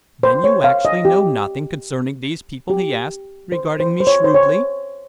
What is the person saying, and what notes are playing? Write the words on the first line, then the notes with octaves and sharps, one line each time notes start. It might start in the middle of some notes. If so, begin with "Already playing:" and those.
"Then you actually know nothing concerning these people?" he asked, regarding me shrewdly.
C5
C#5
F5
D#5
G4
G4
C5
C5
C5
C#5
C5
C#5